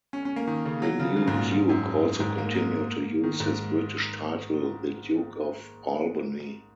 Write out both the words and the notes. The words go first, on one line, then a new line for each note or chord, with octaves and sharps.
The new Duke also continued to use his British title, the Duke of Albany.
C#4
C#4
A#3
D#3
C#3
F#3
C#3
C#3
G#2
A#2
G#2
F#2
G#2
A#3
A#3
D#3
G#2